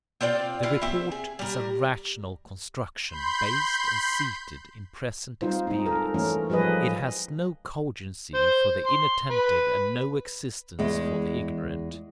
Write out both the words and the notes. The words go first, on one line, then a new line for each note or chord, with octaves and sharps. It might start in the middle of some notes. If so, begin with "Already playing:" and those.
The report is a rational construction based and seated in present experience; it has no cogency for the inattentive and no existence for the ignorant.
C4 F4 D5 G5
E4 F4
C4 E5
G#4
G3 A#4
B5 C6 G6
G3 C4 D#4 F4 C5
G#3 D#4
A4 A#4
E3 G#3 A3 C#4 A#4
F3 G3 G#4 B4 D#5
C5
C6
B4
E2 G#3